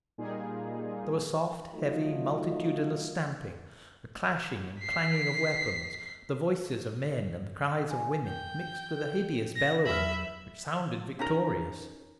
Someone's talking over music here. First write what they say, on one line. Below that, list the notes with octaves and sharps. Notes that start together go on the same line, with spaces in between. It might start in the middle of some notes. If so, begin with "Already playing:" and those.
There was soft heavy multitudinous stamping, a clashing and clanging of weapons, the voices of men and the cries of women, mixed with a hideous bellowing, which sounded victorious.
A#2 G3 A#3 D#4 F4 G#4
F#3 A3 D#4 F4 A4
B6 C7
G#5
G5
A4
A#6
E2 F#3 E5 B5 F6
C#4 D#4 A#4